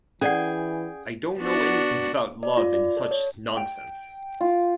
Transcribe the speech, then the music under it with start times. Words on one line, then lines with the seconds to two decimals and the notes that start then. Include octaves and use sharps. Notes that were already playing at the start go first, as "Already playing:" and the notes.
I don't know anything about love and such nonsense!
0.21 E3 C#4 G#4 D5 F#5 G5
1.39 B3 D4 F#4
2.43 D5
2.57 F4
2.74 D5
2.97 A4
3.11 C#5
3.57 G5
4.41 F4